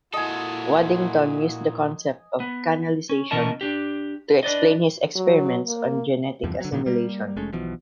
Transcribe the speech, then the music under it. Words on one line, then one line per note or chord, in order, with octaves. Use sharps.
Waddington used the concept of canalisation to explain his experiments on genetic assimilation.
A#2 E4 F#4 A4 D#5 G#5
B3
C#4
B2 E3 C#4 A#4 D#5 A5
D4 G4
D4 B4 D5 D#5
F#3
A#3
E2 G2 C3 F3
D3 F#3
A#2 D3 D#3 F#3
G3 A#3
F1 G#3 A3 C#4
B1 B2 E3 F3